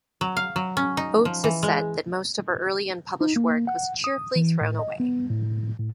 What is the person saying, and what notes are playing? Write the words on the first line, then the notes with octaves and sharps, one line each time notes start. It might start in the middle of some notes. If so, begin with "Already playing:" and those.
Oates has said that most of her early unpublished work was "cheerfully thrown away".
F#3
F5
F#3
C#4
D#4
F3
E3
G#3
D#4
A#3
F#5
D#6
E3
A2
D#5
B3
A2
A2